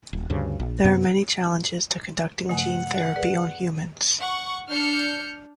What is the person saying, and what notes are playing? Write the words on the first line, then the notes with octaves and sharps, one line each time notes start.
There are many challenges to conducting gene therapy on humans.
D#1
D2 G2 C#3
A#1
F#2 C3 B3
G2 C#3 F3 A3 F#5 G#5
G#4 A#4 B4 D5
F#5 C#6
D4 F6 G6 C#7